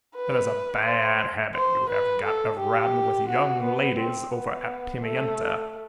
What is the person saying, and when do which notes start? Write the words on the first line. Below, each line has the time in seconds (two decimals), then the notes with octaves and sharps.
That is a bad habit you have got of riding with young ladies over at Pimienta.
0.15 B4
0.85 C5
1.55 C5
1.90 B4
2.25 A4
2.60 G4
3.29 F#4
3.64 B3
3.99 C4
4.34 B3
5.04 A3